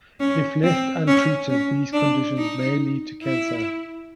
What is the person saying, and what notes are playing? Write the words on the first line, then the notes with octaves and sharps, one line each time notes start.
If left untreated, these conditions may lead to cancer.
C#4
C4
C#4
C#4
D4
D#4
E4